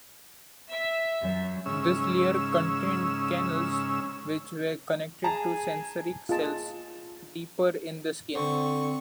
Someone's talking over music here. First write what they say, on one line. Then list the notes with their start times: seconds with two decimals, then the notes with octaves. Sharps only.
This layer contained canals which were connected to sensory cells deeper in the skin.
0.70 E5
1.23 F#2
1.66 G#2 C#3 C#4 E6
5.24 G#4 A5 A#5
6.29 F4 G#4 D#5 A5
8.35 D3 C4 C#6